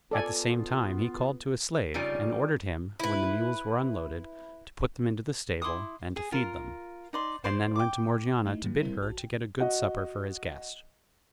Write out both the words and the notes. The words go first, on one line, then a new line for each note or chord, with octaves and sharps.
At the same time he called to a slave, and ordered him, when the mules were unloaded, to put them into the stable, and to feed them; and then went to Morgiana to bid her to get a good supper for his guest.
B3 F4 A4 D5 G#5
C#3 G3 D#4 F4 G#5
E4 B4
E4 C6 D6 D#6
G#4
F4 A#4
D#4 D5 C6
C5 D5 C6
G5 D6
A3 D#4 E4
G#2 D#3 F#3 G3 A#3
G3 C4 E4 A#4 C5
A#1 F#4 A5
G5
F#4 D#5 F#5